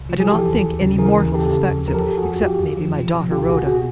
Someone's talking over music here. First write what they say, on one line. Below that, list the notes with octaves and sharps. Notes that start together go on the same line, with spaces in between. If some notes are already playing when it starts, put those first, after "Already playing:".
I do not think any mortal suspects it, except, maybe, my daughter Rhoda.
Already playing: C2
F3
G#4
E3 G4 A4
D#2
D#2
C#3
E3 G#4 A#4
D#2
C#3 G4 A4
D#2
F2
F3 A#4
G4 A4
F2
F#4 G#4
F2
F2 F4 G4
F2
F3
F3
B2
C#2 F4 G4
B2 F#4 G#4
B2 F#4 G#4